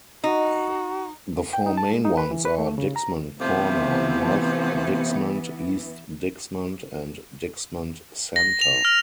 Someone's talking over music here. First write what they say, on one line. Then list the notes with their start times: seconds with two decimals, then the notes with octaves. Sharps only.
The four main ones are Dixmont Corner, North Dixmont, East Dixmont, and Dixmont Center.
0.24 D#4 F#4
1.53 G5
1.66 D#4
1.77 A5
1.92 G#3
2.05 D#4
2.18 B4
2.31 E3
2.45 B4
2.58 A3
2.78 C#3
2.96 A#5
3.39 C3 E3 F3 A3 B3
8.36 A#6
8.61 F7
8.85 F6